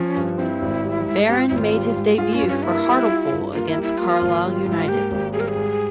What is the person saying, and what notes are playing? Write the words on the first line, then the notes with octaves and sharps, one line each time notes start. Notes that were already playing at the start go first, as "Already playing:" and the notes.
Barron made his debut for Hartlepool against Carlisle United.
Already playing: F3 C#4
G2
C4 E4
G#1
G3
G#2
C4 G4
F4
G#1 E4
F4
G3
G#2
F4 G#4
C#4
G2
C#4
A#3 E4
G3
F4
G2
A#3 F4
E4
G3
E4
A#3 F4
G#1
G3
G#2
E4
F4
A#3 G4
G#1
G3 G#4
A#4
G#4
G#2